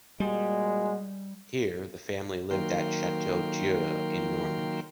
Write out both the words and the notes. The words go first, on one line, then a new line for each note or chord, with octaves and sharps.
Here, the family lived at Château d’Eu in Normandy.
A#2 G3 G#3 F#4
D#3 F#3 A#3 A#4 G5 C6